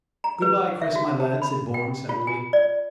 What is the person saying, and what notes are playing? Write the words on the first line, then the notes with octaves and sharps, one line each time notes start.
"Good-bye, Chris, my lad," said Bourne sadly.
A#5
B4
E5
F#4
A5
B5
G5
F4
G#5
D5